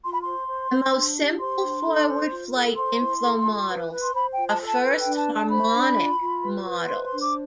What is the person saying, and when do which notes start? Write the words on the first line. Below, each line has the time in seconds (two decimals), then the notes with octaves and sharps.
The most simple forward flight inflow models are first harmonic models.
0.03 F4 C6
0.12 B5
0.22 C5 C6
0.48 C5
0.72 C5
0.94 D4
1.17 G4
1.40 C5 C6
1.63 D4
1.86 A4
2.08 C5
2.31 F4
2.54 A4
2.76 C5 C6
3.00 E4
3.23 A4
3.46 F4
3.69 B4
3.91 B4
4.04 C6
4.14 C5 B5
4.32 G5
4.37 F4
4.49 A5
4.59 A4
4.65 A5
4.83 B4
5.00 G5
5.06 D4
5.17 A5
5.28 G4
5.35 A5
5.50 C5 B5
5.74 D4
5.97 F4
6.19 F4
6.43 B4
6.65 B4
6.87 C5 C6
7.05 C6
7.11 D4
7.22 D6